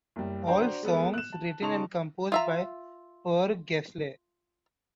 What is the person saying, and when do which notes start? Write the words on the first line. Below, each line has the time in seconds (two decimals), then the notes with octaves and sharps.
All songs written and composed by Per Gessle.
0.16 F#1 G3
0.47 D4 F#4 C5 G5 A#5
0.83 G#3 A3 B3 A4 A#4
1.14 F#6 E7
1.32 A5
1.62 C#3 D#4 A5 C6 C#6 F7
2.32 F4 E5 A#5